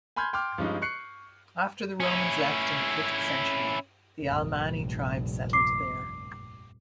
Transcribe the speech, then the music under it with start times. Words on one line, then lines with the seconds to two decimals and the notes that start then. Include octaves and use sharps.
After the Romans left in the fifth century, the Alamanni tribe settled there.
0.16 G#5 B5 C6 F6 G6 G#6
0.33 G5 C6 D6 F6
0.58 G2 F3 G#3 C#4 D#4
0.82 C#6 F#6 C7 C#7
2.00 C#4 E4
4.22 F1 A#1 G2
5.53 D6 C7